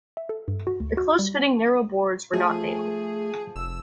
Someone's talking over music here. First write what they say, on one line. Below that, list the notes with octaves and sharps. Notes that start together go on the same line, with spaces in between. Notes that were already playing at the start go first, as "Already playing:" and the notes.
The close fitting narrow boards were not nailed.
E5
A4
G2
F#4
D2
F#4
G3
C#4
F3 A3 G#4
F1 E6